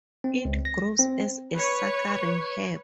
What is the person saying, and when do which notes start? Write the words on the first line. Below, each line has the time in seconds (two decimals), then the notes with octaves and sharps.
It grows as a suckering herb.
0.24 C4
0.45 C#2
0.65 A#6
0.99 C4
1.55 B4 C#5